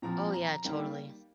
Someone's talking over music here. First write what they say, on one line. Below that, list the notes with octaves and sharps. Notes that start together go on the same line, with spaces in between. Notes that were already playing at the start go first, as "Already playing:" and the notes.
Oh, yeah, totally.
A#2 F3 C4 A#5
A#5
D#3 G3 A#3